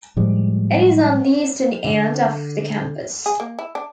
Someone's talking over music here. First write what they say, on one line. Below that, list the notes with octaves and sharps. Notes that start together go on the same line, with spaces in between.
It is on the eastern end of the campus.
A2 F3 G3 G#3
D3
G#4
A#3
E4
D4